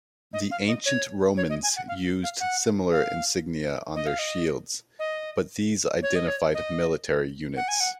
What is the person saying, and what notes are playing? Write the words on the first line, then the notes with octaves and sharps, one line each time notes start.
The ancient Romans used similar insignia on their shields, but these identified military units.
D#5
F5
D#5
C#5
C#5
D#5
G#5
F#5
F5
F5
F#5
F5
D#5
F5
D#5
D#5
C#5
D#5
C#5
D#5
F#5
G#5
F#5